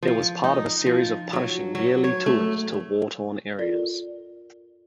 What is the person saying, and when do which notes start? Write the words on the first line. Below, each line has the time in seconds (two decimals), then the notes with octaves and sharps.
It was part of a series of punishing yearly tours to war-torn areas.
0.03 F3
0.44 D#4
0.86 F3
1.33 F#3
1.75 F#3
2.04 C#5
2.26 A3
3.59 F4 A4 A#4 D5